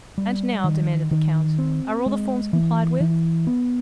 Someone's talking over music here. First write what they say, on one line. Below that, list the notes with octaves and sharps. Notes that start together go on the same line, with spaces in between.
"And now," demanded the count, "are all the forms complied with?"
G3
D#3
D#3
C4
G#3
E3
E3
B3